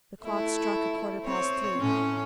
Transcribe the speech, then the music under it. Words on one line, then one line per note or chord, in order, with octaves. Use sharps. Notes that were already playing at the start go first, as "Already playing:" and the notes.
The clock struck a quarter past three.
A3 E4
C4 C#5
A2 C#4